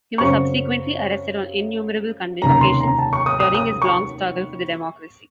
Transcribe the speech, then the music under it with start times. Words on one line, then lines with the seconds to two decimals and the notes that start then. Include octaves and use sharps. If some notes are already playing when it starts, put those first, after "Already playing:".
He was subsequently arrested on innumerable occasions during his long struggle for the democracy.
0.18 F#2 C#3 F#3 C4 C#6
2.42 F1 D#2 C#3 F#3 A#5
2.61 C6
2.80 A#5
2.99 A5
3.13 C#6
3.26 D#6
3.40 D#6
3.55 D#6
3.82 C#6